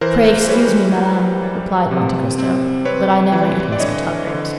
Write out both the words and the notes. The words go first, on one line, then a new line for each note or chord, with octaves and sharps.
"Pray excuse me, madame," replied Monte Cristo, "but I never eat Muscatel grapes."
E3 A#4 C5
C5
G3 B4 C#5
G3
G3
C3
C4
C4 B4 C#5
E3
D5
D3 C#5 D#5
D3